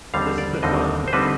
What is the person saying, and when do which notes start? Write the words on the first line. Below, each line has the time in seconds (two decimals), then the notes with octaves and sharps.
This has been fun.
0.14 D#2 D3 G3 C4 D#4 F5
0.38 D5
0.63 D#2 D3 G3 C4 D#4 D#5
1.08 C5
1.13 D3 G3 C4 D#4 B4